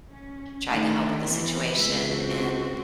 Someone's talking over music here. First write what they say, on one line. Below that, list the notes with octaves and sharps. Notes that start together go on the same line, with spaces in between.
tried to help with the situation, and
C#4
D#3 A3 D4
E3 B3 C4
C#2 E5
C4 F#4